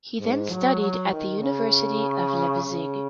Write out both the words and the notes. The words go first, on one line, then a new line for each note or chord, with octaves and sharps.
He then studied at the University of Leipzig.
G#2
F#3
F#3
D#3
C#3
C#3